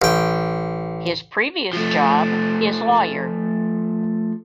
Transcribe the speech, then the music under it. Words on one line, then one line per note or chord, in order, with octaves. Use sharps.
His previous job is lawyer.
A1 G5
F3 A3